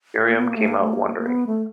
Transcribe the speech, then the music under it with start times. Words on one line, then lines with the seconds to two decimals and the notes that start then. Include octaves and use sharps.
Miriam came out wondering.
0.28 A#3
0.38 B3
0.47 A#3
0.57 A3
0.68 A#3
0.81 A3
0.94 A#3
1.07 A#3
1.18 A#3
1.27 B3
1.47 A3